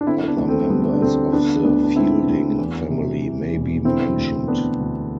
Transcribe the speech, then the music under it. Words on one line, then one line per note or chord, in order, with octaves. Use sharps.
Other members of the Feilding family may be mentioned.
D4
D3 C4 E4
B3 D4
D2
A3 C4
D3 G3 B3
D4
D2 A3 C4
D3 B3 D4
D2 B3 D4
D4
D3 C4 E4
D2
E2
C3
E3
E1
D3 C4 E4
D2
D3 B3 D4
D2